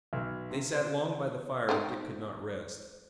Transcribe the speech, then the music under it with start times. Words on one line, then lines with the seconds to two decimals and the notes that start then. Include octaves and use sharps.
They sat long by the fire and Dick could not rest.
0.13 B1
0.51 C3
0.74 C5
1.69 A3 C4 D#4